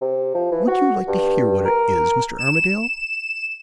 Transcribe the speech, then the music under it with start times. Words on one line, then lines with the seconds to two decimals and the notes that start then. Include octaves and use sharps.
"Would you like to hear what it is, Mr. Armadale?"
0.01 C3
0.34 F3
0.51 E3
0.67 F#4
1.07 G2
1.65 A#4
2.38 E7